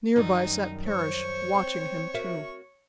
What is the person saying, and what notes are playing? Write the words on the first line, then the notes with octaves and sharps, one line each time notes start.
Near by sat Parrish, watching him too.
F#2 D#3 G3 D#4
C5 C#5 C#6
C4
F#4 A#4 E5